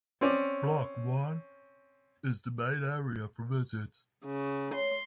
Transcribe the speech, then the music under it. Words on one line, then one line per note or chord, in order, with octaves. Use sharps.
Block I is the main area for visits.
C4 C#4 C#5 D5
C#3
C#5 C6